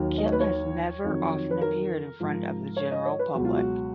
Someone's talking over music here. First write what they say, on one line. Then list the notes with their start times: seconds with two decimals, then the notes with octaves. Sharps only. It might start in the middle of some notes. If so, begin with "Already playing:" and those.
Kim has never often appeared in front of the general public.
Already playing: D#2 D#3 F#3
0.18 D#5
0.26 C#5
0.32 B4
0.40 C#5
1.04 F2 D#3 F#3
1.51 B4
1.61 A#4
2.20 G#2 F3
2.77 C#5
2.92 D#5
3.06 C#5
3.19 B4
3.34 C#2 B2 F#3 F#4
3.45 F4
3.57 F#4